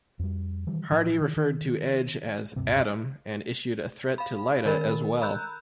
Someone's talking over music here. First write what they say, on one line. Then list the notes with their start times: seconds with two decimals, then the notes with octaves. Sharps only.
Hardy referred to Edge as "Adam" and issued a threat to Lita as well.
0.19 F2 G3
0.67 D#3 E3 G3
0.91 A2 E3 F3
1.21 D#3
1.37 D#3
2.56 D1 G2 C3 C4
4.18 F5 B5
4.66 D#3 A#4 B5
5.22 A#5 B5 E6 F#6 G6